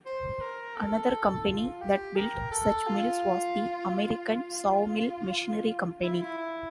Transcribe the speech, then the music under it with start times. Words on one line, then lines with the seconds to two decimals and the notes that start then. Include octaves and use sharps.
Another company that built such mills was the American Sawmill Machinery Company.
0.06 C5
0.41 A#4
0.76 A4
1.46 F4
1.81 G4
2.16 A#4
2.51 A4
2.87 F4
6.03 E4
6.12 F4
6.21 E4
6.38 E4